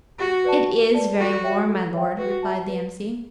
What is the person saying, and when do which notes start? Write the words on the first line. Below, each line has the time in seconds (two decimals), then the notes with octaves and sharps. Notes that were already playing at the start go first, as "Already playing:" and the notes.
'It IS very warm, my Lord,' replied the M.C.
0.19 F#4 G4
0.44 B4 D5 A5
0.69 G4
0.94 B4 D5 A5
1.19 F#4 A4
1.43 C#5 E5 G5
1.69 A4
1.93 C#5 E5 G5
2.18 F#4 B4
2.43 E5 A5
2.67 B4